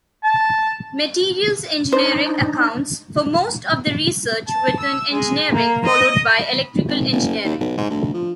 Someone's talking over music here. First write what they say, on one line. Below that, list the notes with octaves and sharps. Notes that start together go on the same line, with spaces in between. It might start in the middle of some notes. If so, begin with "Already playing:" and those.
Materials engineering accounts for most of the research within engineering, followed by electrical engineering.
A5
D4 D#4 C5
A5
E6
G#3
A#3
D#5
B5
G#1
F#1
D#2
B1
G#2
D2
F3